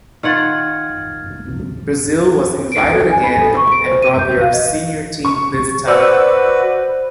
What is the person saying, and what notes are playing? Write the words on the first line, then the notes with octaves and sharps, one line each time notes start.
Brazil was invited again, and brought their senior team this time.
D#3 F4 F#5 F6 G#6 A6
D7
A4
G#5
B5
A4
C#6
D7
C5
D#7
G6
F5
D#5
C#6
F#4 B4 C5 D5 F#5 E6